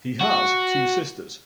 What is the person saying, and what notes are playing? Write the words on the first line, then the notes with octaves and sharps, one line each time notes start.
He has two sisters.
F#4